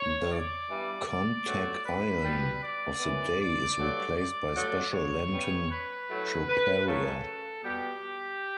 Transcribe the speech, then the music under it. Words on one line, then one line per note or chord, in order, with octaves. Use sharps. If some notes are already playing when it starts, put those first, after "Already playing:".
The Kontakion of the Day is replaced by special Lenten troparia.
Already playing: C#5
D5
G2 E3 G3 B3
D5
G2 F#3 A3
B4
B2 G3 B3
D5
F#2 E3 B3
D5
G2 F#3 A3
D5
G2 F#3 A3
C#5
C#3 G3 B3
B4
A2 F#3 A3
B4
F#2 C#3 F#3 A3 A4
B2 G3 B3 G4